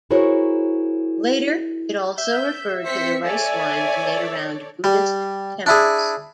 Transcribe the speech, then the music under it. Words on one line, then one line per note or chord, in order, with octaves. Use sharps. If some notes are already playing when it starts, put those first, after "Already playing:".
Later, it also referred to the rice wines made around Buddhist temples.
E4 F#4 G#4 A#4 C5 C#5
E5 G6
C4 C5 B6 C#7
A4 C#5 D5 G#5
G3
D4 E4 G#4